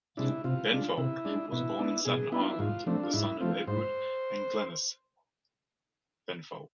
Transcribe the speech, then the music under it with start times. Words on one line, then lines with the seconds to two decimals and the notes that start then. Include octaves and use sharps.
Benfold was born in Staten Island, the son of Edward and Glenys Benfold.
0.17 C3 G#3 D4 E4
0.44 C3 F4
0.71 G#3 D4
0.97 C3 E4
1.25 G#3 D4
1.52 B2 E4
1.79 B3 D4
2.05 B2 G#4
2.32 B3 D4 E4
2.41 F4
2.50 E4
2.59 G#2 F4
2.86 F3 A3 C4 D4
3.03 F4
3.13 G#2 E4
3.40 F3 A3 C4 F4
3.67 G#2 C5